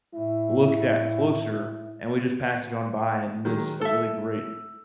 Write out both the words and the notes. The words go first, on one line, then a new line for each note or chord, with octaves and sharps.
looked at closer, and we just pass it on by and miss a really great
A2 E4
D#3 F#3 G#3
A4 E5 E6